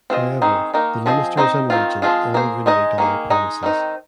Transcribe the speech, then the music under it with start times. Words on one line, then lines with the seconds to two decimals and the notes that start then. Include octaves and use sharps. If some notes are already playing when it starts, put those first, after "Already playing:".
However the ministers and regent all reneged on their promises.
0.10 C4 F4 G#4 C5 D#5
0.42 D#3 C4 D#4 G#4
0.74 D#3 A#3 D#4 A#4
1.06 F3 C4 G#4 C5 D#5
1.37 C4 D#4 C5 D#5
1.70 D#3 C4 F4
2.02 F3 G#3 C4 F4 G#4
2.34 A#3 G#4 C5
2.66 G#3 D#4 G#4 D#5
2.98 D#3 A#3 G#4
3.30 G#3 D#4 G#4 D#5
3.63 D#3 C4 D#4